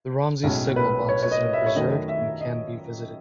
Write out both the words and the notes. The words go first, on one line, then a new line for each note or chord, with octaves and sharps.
The Romsey Signal Box has been preserved and can be visited.
B1 A2 G#3 C#4
B4
C#5
C#5
D#5
E5
C#5
F#2 D#3 A3 C#4 D#5
E5
D#5